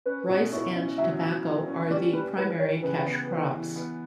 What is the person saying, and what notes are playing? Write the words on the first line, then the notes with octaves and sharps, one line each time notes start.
Rice and tobacco are the primary cash crops.
C#4 B4
B2
E4 C#5
C#4
F#3 E5
F#3
E4
C#4
G3 D5
G3 B4
E3 B4
E3 C#5
C#3 B4
B3
E3
E3
B3